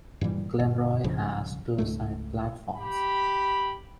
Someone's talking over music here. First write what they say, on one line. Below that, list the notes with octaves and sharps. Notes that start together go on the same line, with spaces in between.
Glenroy has two side platforms.
G2 A#2 E3 G3
G1
C2 G2 C#3 F3
C#2 G#2 A3
G4 B5